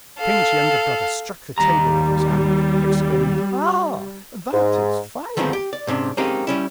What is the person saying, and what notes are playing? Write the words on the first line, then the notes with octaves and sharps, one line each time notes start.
The king's younger brother struck the table with his hand, exclaiming, "Ah! that is fine!"
A4 F5
D#2 G3 A#5
G#2
D3 D#3 F3 G#3 B3 C4
G4
D5
G#2 C3 C#4 D4
G#3 A#3 C4 C#4 D#4 G4
G3 C#4 E4